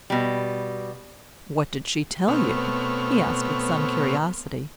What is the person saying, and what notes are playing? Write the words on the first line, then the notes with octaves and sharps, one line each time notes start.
"What did she tell you?" he asked with some curiosity.
B2 G3
B2 A3 B3 C4 C#5 F6